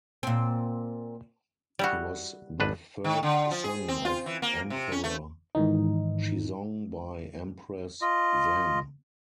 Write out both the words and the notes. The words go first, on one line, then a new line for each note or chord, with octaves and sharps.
He was the third son of Emperor Shizong by Empress Zhen.
A#2 C4
G3 E4 F#4 D5
G#1 D4 B4
D#3
D3
F3
G#4
C4
F4
E3
A#3
C3
C#4
A3
G#2 D#3 E3 D#4
F4 D#5